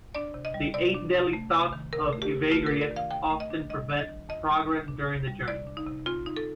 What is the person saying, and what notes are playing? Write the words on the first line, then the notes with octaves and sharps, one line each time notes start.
The Eight Deadly Thoughts of Evagrius often prevent progress during the journey.
D4 D5
C3
D#5
G3
C3 D5
D4
C3
A3
C3
D#3
C3 A#4
A3
G4
C3
A3 F4
A#4
D4
D5
D#3
F5
F2 G5
A3
D#5
D4
G3 D#5
D4
D#5
D#3
F2 D#5
G3
D4
D4
C3
G3
C3 D5
D4
D#4
C3
C4 F4
D#4
A4